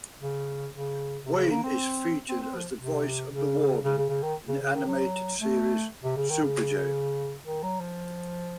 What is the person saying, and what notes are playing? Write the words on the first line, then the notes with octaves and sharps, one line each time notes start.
Wain is featured as the voice of The Warden in the animated series "Superjail!".
C#3
C#3
C3
C#3
A#3
C4
C4
C4
F3
C3
C#3
C#3
C#3
C#3
D#3
C#3
C#3
D#3
F#3
A3
C3
C#3
D#3
C#3
D#3
F#3
F3